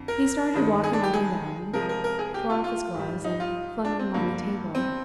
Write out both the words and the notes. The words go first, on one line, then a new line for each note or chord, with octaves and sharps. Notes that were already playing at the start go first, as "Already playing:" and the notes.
He started walking up and down--tore off his gloves and flung them on the table.
Already playing: F2 D3
A#4
G2 D#3 G#3
G#4
D4
G4
G#4
C3 F3 G#3 A#4
A#4
A#4
G#4
G4
F4
F4
G#2 G3
D#4
F4
D4
C4
G2 D3 G3 A#3
C4